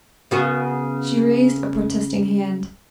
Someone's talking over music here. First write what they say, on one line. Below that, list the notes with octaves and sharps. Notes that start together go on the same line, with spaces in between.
She raised a protesting hand.
C#3 B3 F#4